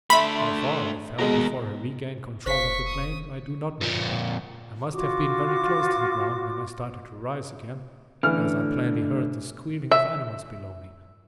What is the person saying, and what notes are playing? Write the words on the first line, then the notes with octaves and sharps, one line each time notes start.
How far I fell before I regained control of the plane I do not know, but I must have been very close to the ground when I started to rise again, as I plainly heard the squealing of animals below me.
A3 D4 E5 B5 C6
D#2 B2 G#3 A#4
F1 C5 F5 C#6 B6
D#6
F2 A#2
F4 F#4 D6
D3 E3 A3 F6
E5